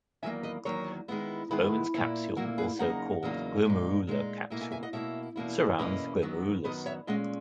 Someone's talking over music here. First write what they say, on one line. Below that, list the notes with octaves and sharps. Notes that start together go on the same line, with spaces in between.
The Bowman's capsule, also called the glomerular capsule, surrounds the glomerulus.
E2 D#3 F#3 A#3 E5 G#5
B4 D#5
E2 D#3 F#3 A#3 A#4 C#5
D#3 G#3 B3 E4
D#3 G#3 B3 E4 G#4 B4
A#2 A#3 E4
A#2 A#3 E4 F#4 A#4
G#4 B4
E2 C#3 F#3 A#3 D#4 F#5 A#5
E2 C#3 F#3 A#3 D#4
A#2 G#3 D#4
A#2 G#3 D#4
B2 A#3 E4 E5 G#5
E5 G#5
E5 G#5
D#5 F#5
B2 A#3 E4 C#5 E5
E2 B2 A#3 C#4 E4
E2 B2 A#3 C#4 E4 B4 D#5
F#2 D#3 F#3 B3
F#2 D#3 F#3 B3 B4 D#5
C#5 E5
A#2 G#3 C#4 D#5 F#5